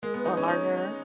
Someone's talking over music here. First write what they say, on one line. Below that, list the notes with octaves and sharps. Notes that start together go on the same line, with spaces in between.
Or harder?
G#3 A#4
B3 B4
D#4
C#4 B4
D#4 C#5